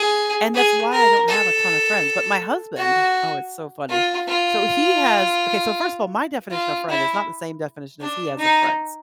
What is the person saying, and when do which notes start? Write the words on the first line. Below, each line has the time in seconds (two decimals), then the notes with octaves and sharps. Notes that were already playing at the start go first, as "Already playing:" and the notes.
and that's why I don't have a ton of friends, but my husband oh, it's so funny. So, he has okay, so, first of all, my definition of friend is not the same definition as he has of friends
Already playing: G#4
0.54 G#4
0.91 A#4
1.28 A4
2.77 F#4
3.89 F4
4.28 F4
6.51 F4
6.89 E4
8.01 D4
8.38 D#4